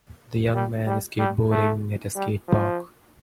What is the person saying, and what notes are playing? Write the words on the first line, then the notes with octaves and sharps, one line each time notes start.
The young man is skateboarding at a skate park.
G3
G3
G3
A3
G3
F3